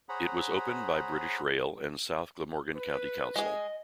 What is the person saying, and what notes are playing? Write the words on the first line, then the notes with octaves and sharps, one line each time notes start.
It was opened by British Rail and South Glamorgan County Council.
G#4 C5 C#5 F#5 A#5 B5
B4
G#3 G#4 D#5